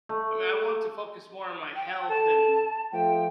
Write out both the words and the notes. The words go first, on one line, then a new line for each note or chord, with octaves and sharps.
I mean, I want to focus more on my health and
A3
G5
A4 A5
F3 A3 G5